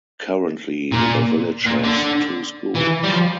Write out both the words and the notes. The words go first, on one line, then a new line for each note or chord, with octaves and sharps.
Currently the village has two schools.
A#2
A#2
D3
E3
G3
F3